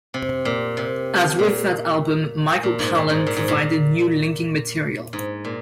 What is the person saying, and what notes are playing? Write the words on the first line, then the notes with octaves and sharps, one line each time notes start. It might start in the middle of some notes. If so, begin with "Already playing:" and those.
As with that album, Michael Palin provided new linking material.
C3
A#2
C3
A#2
A#2
G#2
A#2
G#2
A#2
G#2
A#2
G#2
A#2